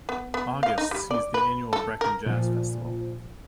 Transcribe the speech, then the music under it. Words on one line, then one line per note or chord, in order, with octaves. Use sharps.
August sees the annual Brecon Jazz Festival.
B3
B3
F5
D#4
G3
D5
B4
A4
A#4
A#2 F3